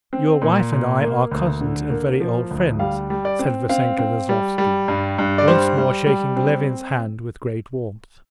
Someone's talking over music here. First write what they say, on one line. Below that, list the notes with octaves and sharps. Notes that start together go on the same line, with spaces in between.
"Your wife and I are cousins and very old friends," said Vassenka Veslovsky, once more shaking Levin's hand with great warmth.
C4
A#2
A#2
A#3
D2
D3
A#3
F3
D2
G3 F5
G3
D5
C4
C4 F5
C4
G3
G3
G2
G2
D5
G3 C5
G3
G3
C4